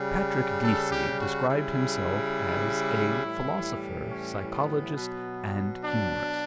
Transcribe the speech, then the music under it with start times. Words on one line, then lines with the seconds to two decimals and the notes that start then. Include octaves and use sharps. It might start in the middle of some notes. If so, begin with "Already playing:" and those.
Patrick Deasey described himself as a "philosopher, psychologist, and humorist."
Already playing: C#3 G3
0.63 A4
0.92 G4
1.21 F#4
1.50 C#3 G3 E4
3.23 A2 E3 G3
4.10 C#4
4.53 B3
4.97 B2 F#3
5.84 D4